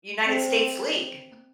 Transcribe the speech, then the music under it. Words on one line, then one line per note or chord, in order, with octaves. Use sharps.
United States league,
C4 D5
C5
C5
E5
G5